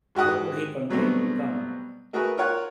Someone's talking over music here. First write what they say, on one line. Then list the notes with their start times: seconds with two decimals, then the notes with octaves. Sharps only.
How could he contrive to come?
0.15 G#2 F#4 G4 F#5 D#6
0.89 B2 F#3 G3 A3 B3 C4
2.13 A3 F#4 G#4 A#4 B4
2.37 F4 A#4 C#5 F#5